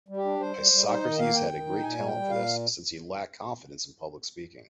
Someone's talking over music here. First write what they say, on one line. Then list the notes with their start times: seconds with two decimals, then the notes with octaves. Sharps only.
Isocrates had a great talent for this since he lacked confidence in public speaking.
0.09 G3
0.17 G4
0.25 D4
0.40 G3 C5
0.56 G3
0.72 G3
0.88 D#4 C5
1.03 D#3 D#5
1.19 A#3 F5
1.35 D#3 G5
1.51 D#3
1.67 D#4
1.82 A#2 G#5
1.98 G3
2.06 G5
2.15 G3
2.30 A#2 F5